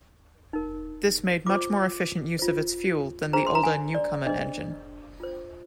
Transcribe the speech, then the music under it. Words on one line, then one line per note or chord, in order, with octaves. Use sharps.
This made much more efficient use of its fuel than the older Newcomen engine.
D#4 A#4
F4 C5 D6
F4 C5
D4 G#4 C5 A#5
C6
A#5
G#5
D5
D4 G#4 C5 D#5
F4 C5